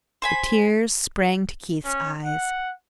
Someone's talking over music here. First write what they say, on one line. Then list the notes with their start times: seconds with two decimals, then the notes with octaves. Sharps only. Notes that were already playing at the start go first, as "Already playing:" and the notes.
The tears sprang to Keith's eyes.
0.22 C5 G#5 B5
1.85 C#4
2.24 F#5